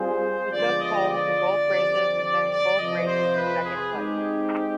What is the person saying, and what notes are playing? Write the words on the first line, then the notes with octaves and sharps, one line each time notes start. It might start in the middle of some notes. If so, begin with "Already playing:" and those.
He took pole for both races and finished both races in second place.
Already playing: G3 C4 F4 G#4 C5
D3 F3 G#3 B3 F4 D5
D#5
D5
F2 D3 G3 C4 G4
D5
D5
F2 C3 F3 D#5
C5
B4
G#4
G#3 C4 D#4 G4